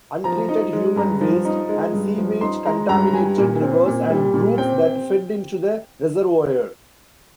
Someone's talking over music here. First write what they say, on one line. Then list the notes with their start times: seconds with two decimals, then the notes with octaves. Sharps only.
Untreated human waste and sewage contaminated rivers and brooks that fed into the reservoir.
0.24 F3 A#5
0.49 D#4
0.73 G#3
0.96 G2 A#5
1.21 F3
1.45 D#4
1.69 G#3
1.93 G2
2.18 F3
2.41 D#4 C6
2.66 G#3 A#5
2.89 G2 A#5
3.14 G3 G#5
3.38 A#2
3.62 C4
3.86 A#2
4.10 G3
4.34 A#2
4.58 C4 G5